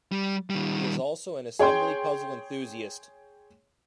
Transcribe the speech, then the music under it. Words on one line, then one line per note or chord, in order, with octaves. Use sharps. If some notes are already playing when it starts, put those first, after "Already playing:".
He is also an assembly puzzle enthusiast.
G3
D#3 G3
G#4 C#5 G5 C6